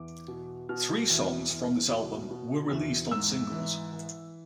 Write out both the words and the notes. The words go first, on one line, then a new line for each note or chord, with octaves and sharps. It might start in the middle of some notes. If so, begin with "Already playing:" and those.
Three songs from this album were released on singles.
Already playing: E2 D6
B2
B2 F6
E2
E2
B2
B2
E2
G#2 E6
E3
E3